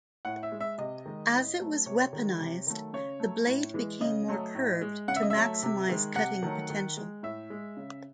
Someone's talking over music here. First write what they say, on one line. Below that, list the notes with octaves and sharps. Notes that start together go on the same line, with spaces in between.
As it was weaponised, the blade became more curved to maximise cutting potential.
A2 F#5
E5
G#3
E5
C3 D#5
D#3 G#3
A2
F#3 A3
C3 C#5
D#3 G#3
C3
D#3 F#3 A3
C#3 C#5
F#3 A3
A2
E3 G#3
C#3 D#5
F#3 A3
A2
G#3
C#3 F#5
E5
D#5
E5
F#3 A3
C3
D#3 G#3
C3 F#5
D#3 F#3 A3
D#3
G#3
A2 E5
G#3
C#3